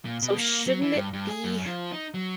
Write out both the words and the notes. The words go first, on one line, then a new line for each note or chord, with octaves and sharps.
So shouldn't it be
A#2
B2
A#3
F#3
E3
G2
G2
G#4
F#2
F3
D#4
F#3